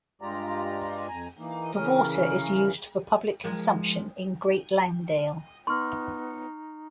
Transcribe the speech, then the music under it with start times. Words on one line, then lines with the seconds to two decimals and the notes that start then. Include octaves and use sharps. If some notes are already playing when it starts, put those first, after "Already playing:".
The water is used for public consumption in Great Langdale.
0.22 G2 G#3 F4 G4 D5 A#5
1.08 F2 G#5 A#5
1.38 E3 A#3 D#4
1.75 C#3 E3 C#4 A#4
3.44 F3 G#3 A#3
5.67 B3 D#4 C6 C#6 F6